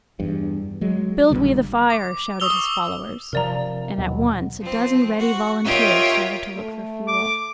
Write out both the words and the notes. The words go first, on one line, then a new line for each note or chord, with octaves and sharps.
'Build we the fire!' shouted his followers; and at once a dozen ready volunteers started to look for fuel.
E2 G2
F#3 G#3
A#1 A#2 D3 G3
D6
C#6 D#6 E6 F7 G7
C3 F3 A#4 D5 A#5
D#2 B2 F#3
F3 C4
F#4
F4 G4 A#4 C#5 D#5 E5
A3
D6